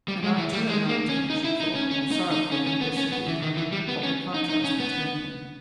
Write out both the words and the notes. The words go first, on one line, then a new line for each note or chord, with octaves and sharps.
'And I too am nineteen.' She thought, more sorrowfully than Bessy did, of the contrast between them.
G3
G#3
E3
G3
G#3
A#3
C#4
D#4
E4
D#4
C#4
C#4
D#4
D#4
C#4
C#4
B3
C#4
B3
E3
D#3
E3
G3
B3
C#4
D#4
D#4
C#4
B3